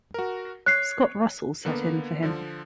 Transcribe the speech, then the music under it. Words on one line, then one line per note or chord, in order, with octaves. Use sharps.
Scott Russell sat in for him.
F#4 A#4
C#5 F#6 C7
D3 A#3 B3
D3 F3